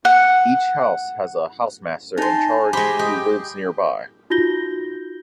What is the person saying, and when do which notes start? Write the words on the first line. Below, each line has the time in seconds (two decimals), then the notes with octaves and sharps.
Each house has a housemaster in charge who lives nearby.
0.05 F#5
2.18 D#4 G#5 A5 C6
2.73 G#3 G4 C5 B5
2.99 G4 D#5
3.14 G5
4.30 D#4 F4 F#4 G6 A#6 G7